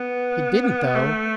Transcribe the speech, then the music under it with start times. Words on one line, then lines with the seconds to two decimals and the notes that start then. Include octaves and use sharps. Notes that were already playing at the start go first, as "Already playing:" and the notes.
"He didn't, though!"
Already playing: B3
0.95 A3